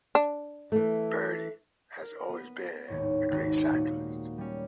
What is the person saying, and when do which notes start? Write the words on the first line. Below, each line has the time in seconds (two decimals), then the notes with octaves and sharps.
Bertie has always been a great cyclist.
0.15 D4
0.72 E3 A3
2.02 A#4
2.29 B3
2.88 G#1 D#2 A2 C#5
3.31 G#1 D#4 F#4
3.72 A#2 A#3 F#4 G#4
4.38 G3 C#4